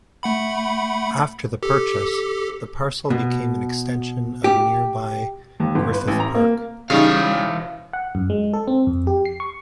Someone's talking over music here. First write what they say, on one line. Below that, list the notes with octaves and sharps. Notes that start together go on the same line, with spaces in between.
After the purchase, the parcel became an extension of nearby Griffith Park.
A3 F#5 B5
G4 A4
B2
G4
D#2
G1
B4
A1
A#5
A#3
C#3 E3 G3 D#4 C#5 F5
F#5
F#2
G#3
A4
C4
F2
G4
C7
C#6